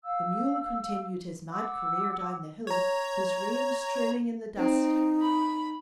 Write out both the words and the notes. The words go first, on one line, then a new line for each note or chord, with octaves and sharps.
The mule continued his mad career down the hill, his reins trailing in the dust.
F5 E6
F#5 D6 E6
C#5 A#5
C4 D#4
B5